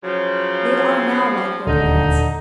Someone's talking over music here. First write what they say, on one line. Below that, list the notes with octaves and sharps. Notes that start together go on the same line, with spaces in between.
They are now like their parents.
C#3 F3 F#3
D#1 D2 D3 D#4